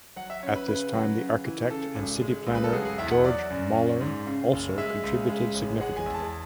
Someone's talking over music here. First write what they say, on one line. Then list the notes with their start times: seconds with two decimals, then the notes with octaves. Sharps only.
At this time the architect and city planner Georg Moller also contributed significantly.
0.16 F#3 F#5
0.30 E5
0.43 C#4 C#5
0.56 B4
0.68 C#3 B4
0.94 F#3
1.19 C#3
1.45 E3
1.70 C#3 A4
1.95 G#1
2.22 G#3
2.47 C#2
2.55 B4
2.64 A4
2.72 F#3 G#4
2.85 G#4
2.98 E2 E5
3.11 F#5
3.24 F#3 D5
3.50 F#2
3.75 C#4
4.01 G#2
4.27 C#3
4.53 F#1
4.78 G#3 E5
5.04 C#2
5.29 G#3
5.55 A1
5.80 G#3 F#5
5.97 G#5
6.06 E2
6.15 A5